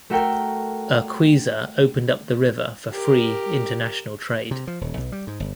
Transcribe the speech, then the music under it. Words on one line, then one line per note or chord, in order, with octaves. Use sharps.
Urquiza opened up the river for free international trade.
A3 F#4 A4 A#4 G5
G4 A#4
C3
F3
D#1
B1
G3
G#2
G1